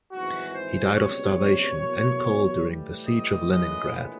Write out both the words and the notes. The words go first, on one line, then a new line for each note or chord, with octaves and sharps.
He died of starvation and cold during the Siege of Leningrad.
G#1 G#2 E3 F#4
C5
C#2 B2 G3 C4 C#5
E2 B2 F#3 A#3
A2 E3 G3
D#5
A#1 A2 E3 G#3 B3 D#5